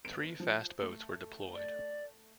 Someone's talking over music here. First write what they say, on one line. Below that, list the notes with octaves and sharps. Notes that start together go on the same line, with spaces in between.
Three fast boats were deployed.
G1 D7
F3
A3
D5